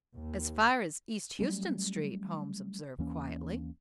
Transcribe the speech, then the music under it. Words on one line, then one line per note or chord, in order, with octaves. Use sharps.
"As far as East Houston Street," Holmes observed, quietly.
D#2
F#3 G3 A3 C#4
D#2 E3 A#3 C#4